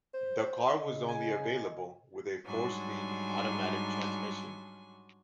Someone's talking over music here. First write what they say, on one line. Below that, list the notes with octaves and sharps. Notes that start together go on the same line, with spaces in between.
The car was only available with a four speed automatic transmission.
C5
C#3 D#5
G#5
G#2 F#3 G3 D4 G#5 C6